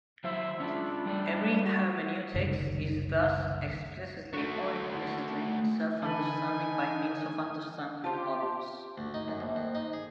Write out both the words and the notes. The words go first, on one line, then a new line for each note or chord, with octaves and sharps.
Every hermeneutics is thus, explicitly or implicitly, self-understanding by means of understanding others.
F#3 E4 C5 E5
C#4 D4 F4
G3 A3 D5
F#4
F#1 C2 F#2 D#3
A3 F#4
D3 E3 D4 D#4 A4 B4 G#5
F4 G4 C5 F5 A5
D2
D#4
F#2
A#1
F2
D#4
G#4